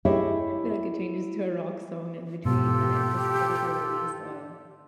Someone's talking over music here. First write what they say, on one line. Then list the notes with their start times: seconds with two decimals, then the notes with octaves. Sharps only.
like it changes to a rock song in between, but it just was like a release of
0.05 E4 G4 G#4 C#5 D#5 E5
2.45 G#2 B2 F4 G4 A4